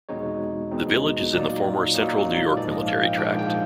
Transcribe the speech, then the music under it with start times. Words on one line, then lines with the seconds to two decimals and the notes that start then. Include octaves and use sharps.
The village is in the former Central New York Military Tract.
0.09 E2 B2 G#3 C4 D#4 C#5
0.71 E2 B2 G#3 C4 D#4
1.33 A#2 F#3 A#3 D#4 D5
1.94 A#2 F#3 A#3 D#4
2.56 A#1 G#2 F3 A#3 D5
2.72 D#5
2.87 F5
3.03 G5
3.18 A#1 G#2 F3 A#3 G5
3.39 G5